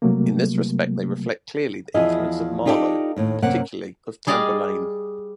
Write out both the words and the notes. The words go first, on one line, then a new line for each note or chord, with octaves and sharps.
In this respect, they reflect clearly the influence of Marlowe, particularly of "Tamburlaine".
C3 F#3 G3 A3 A#3
E2 F3 E4 F4 G#4 D#5
D#4 F4 G4 A4 C5 D5
D#2 A2
F#2 C3 A#3 F#5
G3 G#4 D5 D#5 F5